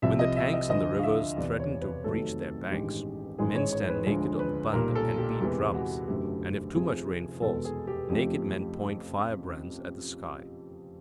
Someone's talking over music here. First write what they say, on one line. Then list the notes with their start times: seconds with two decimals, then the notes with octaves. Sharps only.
When the tanks and rivers threaten to breach their banks, men stand naked on the bund, and beat drums; and, if too much rain falls, naked men point firebrands at the sky.
0.02 C2 C3 F3 E5
0.19 D#5
0.37 E5
0.53 D#5
0.70 D2 D3 F3 D#5
0.99 F5
1.03 E5
1.37 E1 E2 C3 D5
1.59 C#5
1.81 B4
2.04 F2 C3 D#3 F#3 A3 A4
2.71 A1 G2 D#3 G#3 G4
3.38 A1 G#2 D#3 G#3 G#4
3.55 C#5
3.72 C#5
3.89 B4
4.06 D2 D3 F3 G#3
4.39 B4
4.73 B1 A#2 G3 A#4
4.95 A4
5.18 G4
5.41 E2 C3 E3 G#3 G4
5.74 F#4
6.08 F#1 F#2 D3 F#3 A3 G4
6.75 F1 F2 C3 F3 G#4
7.42 E2 B2 G#3 A4
7.65 G#4
7.87 G4
8.09 F2 C#3 F3 A3 G4